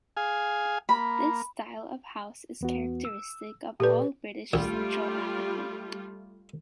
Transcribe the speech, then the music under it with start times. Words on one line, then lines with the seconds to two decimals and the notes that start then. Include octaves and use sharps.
This style of house is characteristic of all British Central Africa.
0.17 G#4 F5 G#5
0.89 A#3 B5
2.61 E2 B3 F#4
3.05 E6
3.80 A#2 G4 A4 B4 D5
4.53 A#1 G3 A3 F4